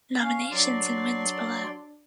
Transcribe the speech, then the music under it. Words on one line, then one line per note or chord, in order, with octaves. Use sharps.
Nominations and wins below.
C#4 F5
F#3 D4 D5 C6